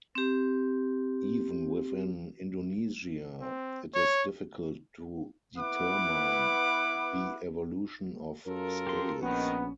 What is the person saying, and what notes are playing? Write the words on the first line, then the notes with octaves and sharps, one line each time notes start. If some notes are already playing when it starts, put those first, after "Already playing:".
Even within Indonesia it is difficult to determine the evolution of scales.
C4 G4
C4
C#5
B3 E4 B4 F#5 D6
F#2 F4 A4 A#4
G4 C6
A#1 D#3 B3 C#4